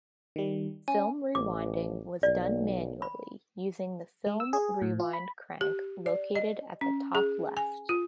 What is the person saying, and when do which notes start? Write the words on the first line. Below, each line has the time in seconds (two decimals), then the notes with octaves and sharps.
Film rewinding was done manually using the film-rewind crank located at the top left.
0.36 D#3 G3
0.88 C#4 G#5
1.35 A1 D6
2.23 B1 D5
3.02 B5
4.26 G#3
4.40 E6
4.53 G#4
4.82 A2
5.00 F4
5.13 B5
5.61 G4
6.06 D5
6.35 D#5
6.81 C#4
7.15 G#4
7.57 G#5
7.89 F4